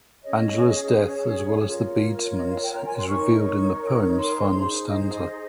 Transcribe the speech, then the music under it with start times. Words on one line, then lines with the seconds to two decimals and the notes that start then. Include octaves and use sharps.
Angela's death, as well as the beadsman's, is revealed in the poem's final stanza.
0.23 C#4 G#4 C#5 D#5
0.94 C#5
1.66 F4 A#4 C#5
2.36 D#5
2.48 F5
2.61 G5
2.72 A#5
2.84 G#5
2.97 C6
3.08 D#4 A#4 C#5 C#6
3.44 C#6
4.16 C6
4.51 D#4 G#4 C5
4.87 D#5
5.12 D#5